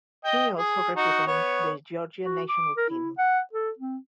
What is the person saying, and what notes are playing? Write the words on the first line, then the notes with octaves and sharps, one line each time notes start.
He also represents the Georgia national team.
D#5 G5
G#4
D#4 F#4
B3 C#5
F#4
D6
A#4
E4
F#5
A4
C4